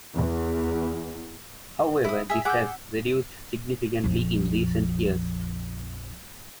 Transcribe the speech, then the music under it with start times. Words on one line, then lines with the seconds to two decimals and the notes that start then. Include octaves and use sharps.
However this has reduced significantly in recent years.
0.15 E2
2.04 E4 D#6
2.30 G#4 E5 B6
2.45 G#4 F#5 D6 E6 G6
4.04 A#1 F2